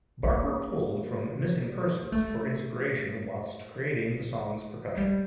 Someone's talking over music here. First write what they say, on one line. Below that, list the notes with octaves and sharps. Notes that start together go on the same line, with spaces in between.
Barker pulled from Missing Persons for inspiration whilst creating the song's percussion.
A#3
A3
G3